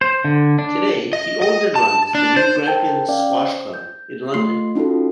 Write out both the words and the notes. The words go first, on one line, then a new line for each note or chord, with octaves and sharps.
Today, he owns and runs the New Grampians Squash Club in London.
C5
D3
D4
D#5
D#5
A5
D4
C5
A#4 C5 G5 A5
C#4 D5 F5 G5
C5
G6
A3 F4 C6 C7
C#4 D#4 F4 F#4 A4